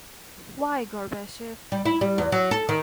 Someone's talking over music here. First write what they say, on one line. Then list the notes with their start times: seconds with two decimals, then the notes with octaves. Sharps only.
Why Gorbachev?
1.72 G3
1.86 E4
2.01 G3
2.18 E2
2.32 F#3
2.51 A4
2.69 D#3